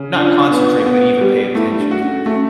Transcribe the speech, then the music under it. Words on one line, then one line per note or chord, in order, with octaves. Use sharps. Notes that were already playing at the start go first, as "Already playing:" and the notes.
Not concentrate, but even pay attention to it?
Already playing: C#3
D4 F4
B3
B3
G3
A3 E4
D4
F#4
C#4
A3 C#4